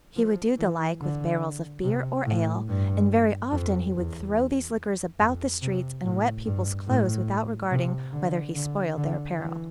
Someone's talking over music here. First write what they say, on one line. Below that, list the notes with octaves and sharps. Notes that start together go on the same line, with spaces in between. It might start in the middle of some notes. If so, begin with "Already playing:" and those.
He would do the like with barrels of beer or ale; and very often he would throw these liquors about the streets, and wet peoples' clothes without regarding whether he spoiled their apparel.
F3
E3
D3
C3
A2
G2
F2
E2
F2
C3
A2
G2
A2
C3
D3
D3
D3
E3